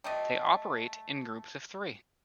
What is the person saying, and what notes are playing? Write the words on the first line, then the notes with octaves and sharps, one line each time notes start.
They operate in groups of three.
G3 A3 D#5